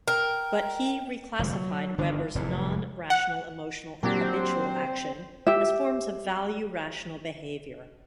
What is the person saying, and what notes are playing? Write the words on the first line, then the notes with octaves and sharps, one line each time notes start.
But he reclassified Weber's non-rational emotional and habitual action as forms of value-rational behavior.
A#4 G5
F1 A#2 D3 G#3
F#3
G1 D3 D#3 D4
F1 E2 A2
F#5
A#2 F#3 C4 D4 G4 C5
G4 E5